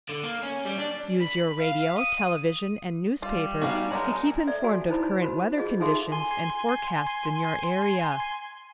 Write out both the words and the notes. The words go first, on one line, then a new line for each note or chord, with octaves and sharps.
Use your radio, television and newspapers to keep informed of current weather conditions and forecasts in your area.
D3
A#3
C#4
G3
D4
B5
F5
D#6
G3 F4
B3 D#4 F#4 F5 G#5
F#3 G#3 D4 D#4 A#4 A#5
A4 D5 E5
F#4 A4 G#5
D#4 E4 C5 B5
F#4 C5 B5
F4 G#4 D#5
D#4 F4 G#4 A4 E5 C6
G#5 C6